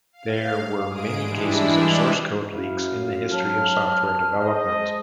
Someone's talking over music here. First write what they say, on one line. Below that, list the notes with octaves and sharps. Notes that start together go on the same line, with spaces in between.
There were many cases of source code leaks in the history of software development.
F5
G#2 G#3 G#4 D#6 D7
E3 G3 G#3 D4 E4
F#2 E4 F5
F#3 A5 F6
G#3 C5 D#5